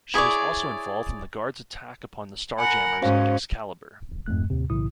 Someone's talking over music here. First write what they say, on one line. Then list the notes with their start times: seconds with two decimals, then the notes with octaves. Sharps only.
She was also involved in the Guard's attack upon the Starjammers and Excalibur.
0.14 E4 G#4 C#5 D5
2.59 A#4 F#5 G#5 B5
3.02 G#2 C#4 F#4 C5 F5
4.26 F2 G#2 A3 F#6
4.50 D#2 A2 C3
4.70 B1 A2 C#3 E3 E4 D#6